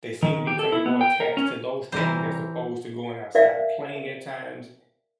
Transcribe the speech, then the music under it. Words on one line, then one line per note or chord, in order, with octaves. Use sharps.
they seem to becoming more attached to those things as opposed to going outside playing at times,
D#3
G4
A4
E4
B3
G5
A#4
C#4
C3 E3 G3 C5 A#5
A#4 D5 E5 F5